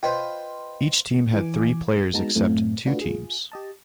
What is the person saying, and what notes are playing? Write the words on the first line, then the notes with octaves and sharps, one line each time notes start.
Each team had three players except two teams.
F4 B4 C5 D#5 G5
E3 G#5 D6
G#3 B3 D#4 F#4 A5 A#5
F#2 A2 A3 C4
A3 D4 F4 F#4 B4
F4 G#4
G4 D#5 A5